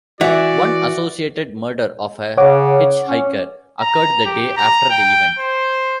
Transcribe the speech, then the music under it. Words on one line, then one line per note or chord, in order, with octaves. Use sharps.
One "associated" murder of a hitchhiker occurred the day after the event.
E3 F#4 D5 E5 F#5
C#3 C#5 F#5 D6
C#4
A#5
G4
A#5
G5
C5